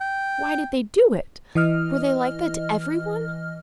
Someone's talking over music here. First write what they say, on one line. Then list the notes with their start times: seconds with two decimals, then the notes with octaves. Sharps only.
Why did they do it? Were they like that to everyone?
0.01 G5
1.55 E3 D#5 F6